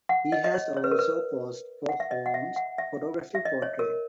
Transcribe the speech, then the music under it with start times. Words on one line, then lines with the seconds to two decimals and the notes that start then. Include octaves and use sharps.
He has also posed for Holmes's photography portraits.
0.09 F#5
0.32 D#5
0.44 D#5
0.54 C#5
0.77 C#5
0.84 B4
0.91 A#4
0.99 B4
1.89 F#5
2.00 E5
2.11 D#5
2.26 F#5
2.34 E5
2.56 F#5
2.78 E5
3.35 E5
3.45 D#5
3.62 C#5
3.79 A#4